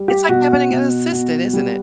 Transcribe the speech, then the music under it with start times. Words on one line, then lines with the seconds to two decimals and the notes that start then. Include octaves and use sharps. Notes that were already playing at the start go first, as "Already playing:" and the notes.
It's like having an assistant, isn't it.
Already playing: G3
0.08 G4
0.29 B2 F#4
0.70 B2
1.12 B2
1.53 G3